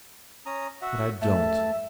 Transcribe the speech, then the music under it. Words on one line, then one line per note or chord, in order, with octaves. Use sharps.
But I don't.
C#4 A#5 D#6
F#4 E5 F#5
A3 E5 A5